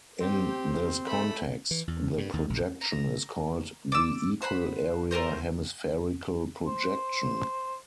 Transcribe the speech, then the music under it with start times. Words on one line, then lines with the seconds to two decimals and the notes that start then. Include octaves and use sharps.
In this context the projection is called the equal-area hemispherical projection.
0.21 C4 G4
1.07 A3 B5
1.71 E3
1.87 E2
2.18 G2
2.34 D#2
2.50 A#1
2.81 A#5
3.92 D5 E6
4.42 C5 F#5 G#5 B5
5.11 A3 B3 A#4 C5
6.67 C5